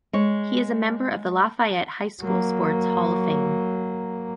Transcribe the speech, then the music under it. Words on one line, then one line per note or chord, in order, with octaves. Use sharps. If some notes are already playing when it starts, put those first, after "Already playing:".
He is a member of the Lafayette High School Sports Hall of fame.
G#3 C#5
F#3 A#3